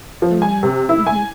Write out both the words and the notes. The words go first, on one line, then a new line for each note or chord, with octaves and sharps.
Mm, mhm.
F3
G#5
C3
E4
G#5